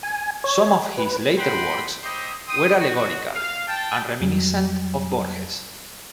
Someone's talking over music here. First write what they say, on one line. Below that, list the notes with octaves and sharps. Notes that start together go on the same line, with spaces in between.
Some of his later works were allegorical and reminiscent of Borges.
G#5
C#5
B4
D#5 F#5 G5 B5 C6
E4 G4 C5 D#5
G5 C6 D#6
F#4
F5
G5 A5
F2 F#3 G3